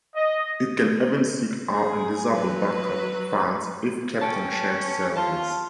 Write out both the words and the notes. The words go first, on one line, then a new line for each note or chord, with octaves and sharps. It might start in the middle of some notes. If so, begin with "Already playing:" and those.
It can even seek out and disable backup files if kept on shared servers.
D#5
G#4
F#3 B4
C#4 G5 A5
F4 A5